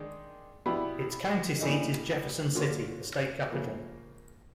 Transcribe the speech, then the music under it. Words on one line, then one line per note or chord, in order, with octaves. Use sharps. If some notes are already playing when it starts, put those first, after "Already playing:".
Its county seat is Jefferson City, the state capital.
Already playing: D#3 G#3 D4
B2 G3 B3 E4 G4
A2 E3 G3 A#3 D#4
D3 F#3 A#3 C#4 F4
C#3 F3 A#3